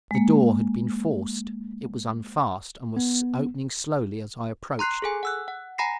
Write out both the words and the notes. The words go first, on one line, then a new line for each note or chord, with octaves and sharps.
The door had been forced; it was unfast and was opening slowly as I approached.
G#3 A#3
B3
A#5 C6 F#6 C7
G#4 A4 G#5
F#5 E6 F#6
F#5
F#5 G#5 A#5 B5 A#6 C7